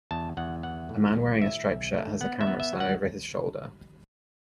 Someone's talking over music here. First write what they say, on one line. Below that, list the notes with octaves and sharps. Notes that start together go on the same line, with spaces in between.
A man wearing a striped shirt has a camera slung over his shoulder.
E2 A5
E2 F#5
E3 F#5
A2
B1
A2 E5
B1
A3
B3 F#5
E5
B3
E5
F#3
F#5